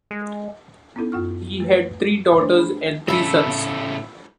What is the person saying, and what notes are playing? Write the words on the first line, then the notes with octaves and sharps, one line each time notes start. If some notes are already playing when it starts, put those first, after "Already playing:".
He had three daughters and three sons.
G#3
B3 C#4 D#4 E4 A4
F#2 F4 F#5 C#6 F6
A3 F#4 B4
A3 D4 C5 C#5
D4 G#4 C#5 B5
A2 C#3 A3 E5 B5